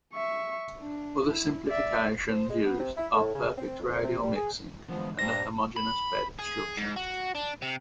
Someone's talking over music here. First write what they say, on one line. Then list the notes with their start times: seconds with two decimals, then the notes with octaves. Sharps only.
Other simplifications used are perfect radial mixing and a homogeneous bed structure.
0.14 E5 C#6
0.80 D4
1.24 E4
1.69 D5 E5
2.29 C5
2.50 G#3
2.65 B3
2.79 C3
2.97 E4
3.15 A2
3.35 C#3
3.58 C4
3.80 F2
4.03 C3
4.23 G3
4.36 G#4
4.89 D3 E3 F3 G#3 B3
5.19 G2 A#2 G3 C5 A#6
5.76 B5
6.39 G#4
6.77 G#2
6.96 F#4
7.35 D4
7.62 C3